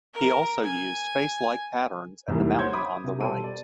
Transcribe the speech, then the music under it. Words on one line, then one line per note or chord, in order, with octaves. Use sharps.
He also used "face like" patterns in the mountain on the right.
A#4
G#5
E2 G#2 C3 E3 G3 A#3
C5 C#5 F#5 C6 G6 G#6
B5 D6 D#6
C3
B2 G3 A4 C5 D#7
D5